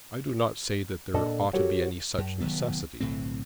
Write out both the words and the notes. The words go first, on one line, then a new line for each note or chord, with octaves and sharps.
I do not say that there ought to be any such necessity.
A#2 D4 A4 D#5 F#5 A5
F#4 G4 A4 A#4 C#5 F#5
F#2
F1 D#3 F#3 B3
B1 A2 D3 C4